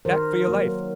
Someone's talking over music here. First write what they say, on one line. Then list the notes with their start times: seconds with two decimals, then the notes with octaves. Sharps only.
"Back for your life!"
0.05 D#3 A#4 C5
0.48 F#3 A#3